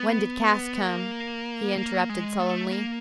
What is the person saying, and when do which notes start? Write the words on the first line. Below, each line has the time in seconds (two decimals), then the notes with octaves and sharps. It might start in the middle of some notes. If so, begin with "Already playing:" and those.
"When did Cass come?" he interrupted sullenly.
Already playing: B3
0.83 A#3
1.77 A#3
2.09 G#3
2.40 A3
2.71 A#3